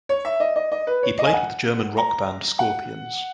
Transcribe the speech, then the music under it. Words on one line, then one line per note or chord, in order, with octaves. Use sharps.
He played with the German rock band Scorpions.
C#5
E5
D#5
D#5
D#5
B4
C#5
D#5
G#5
F#5
A#5
F#5